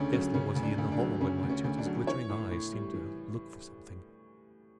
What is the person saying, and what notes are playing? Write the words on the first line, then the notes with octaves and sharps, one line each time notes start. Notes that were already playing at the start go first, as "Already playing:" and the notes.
Scarcely was he in the hall when my tutor's glittering eyes seemed to look for something.
Already playing: D2 C#3 A3 C#4 D4
F#3 C#4
C#3 C#4
D2
D4
D2
D4
F#3
C#3 C#4
D2
C#4
D2
D4
F#3
E3 C#5
A2
A2
G3
E3